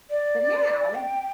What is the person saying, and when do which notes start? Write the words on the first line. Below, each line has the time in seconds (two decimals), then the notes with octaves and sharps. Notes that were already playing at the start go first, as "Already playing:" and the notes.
but now,
0.10 D5
0.95 G5